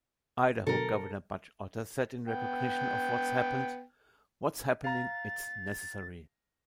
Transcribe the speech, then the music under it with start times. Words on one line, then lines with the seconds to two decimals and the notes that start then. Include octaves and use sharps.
Idaho governor Butch Otter said In recognition of what's happened, what's happening, it's necessary.
0.67 B2 D3 F#3 A4 A#4
2.28 B3 G5
4.84 F5 A#5 A6